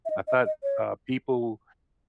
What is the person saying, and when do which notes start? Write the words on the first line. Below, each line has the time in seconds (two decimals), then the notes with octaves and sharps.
I thought, uh, people
0.05 E5
0.10 D#5
0.27 D#5
0.46 D#5
0.63 C#5